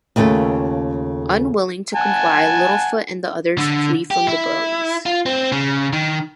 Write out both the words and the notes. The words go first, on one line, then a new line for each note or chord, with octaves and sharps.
Unwilling to comply, Littlefoot and the others flee from the bullies.
D#2 C#3 A3 F4 A4
F#5 G#5 A5
D3
G4
E4
F4
C4
C#3
D#3